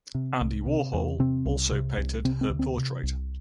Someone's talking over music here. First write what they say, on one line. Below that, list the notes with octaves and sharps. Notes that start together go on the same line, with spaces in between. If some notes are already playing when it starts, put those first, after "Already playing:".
Andy Warhol also painted her portrait.
C3
C2
C3
E2
C3 C4
C2
C3
C2
C3 C4
C4
D2
C4
C3
C2